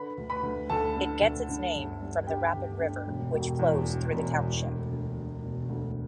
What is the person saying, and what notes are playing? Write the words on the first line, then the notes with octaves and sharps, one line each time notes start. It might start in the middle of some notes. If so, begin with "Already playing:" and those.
It gets its name from the Rapid River which flows through the township.
Already playing: D3 B4 B5
D2
B4 B5
D2
D2 A4 A5
D3
D2
D3
G1
G2
D3 G4 G5
G1
D3
E1
E1
E2
E1
E1
E1
D2
D2
D2
E1
D2